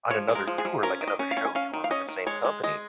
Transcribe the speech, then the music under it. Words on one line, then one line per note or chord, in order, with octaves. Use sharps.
on another tour, like another show tour with the same company,
F3 C#5
G#3
A#4
F3
G#4
F3
C#4 A#4
D#3
D#5
C#4
F5
C#4
G#5
C#4 F5
D#3
F5
C#4 D#5
D#3
G#3 C#5
G#3
G#3 D#5